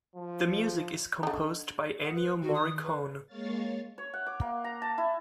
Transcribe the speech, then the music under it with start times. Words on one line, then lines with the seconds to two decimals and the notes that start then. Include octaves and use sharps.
The music is composed by Ennio Morricone.
0.16 F3
1.23 D3 D#4
2.03 F#5 D#6
2.15 B4
2.42 D#3 F#4
2.54 D#6
2.83 B4
3.26 G#3 A#3 C#5 F5 A6
3.98 C#5
4.14 F#5
4.26 D6
4.41 A#3
4.64 A#5
4.82 A5
4.98 E4